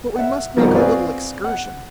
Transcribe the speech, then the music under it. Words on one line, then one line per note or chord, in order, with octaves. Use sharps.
But we must make a little excursion.
E5 F#5
C2 F2 B2 D#3 F3 A#3
C4 F4 F#4 G#4 B4 D5
F#5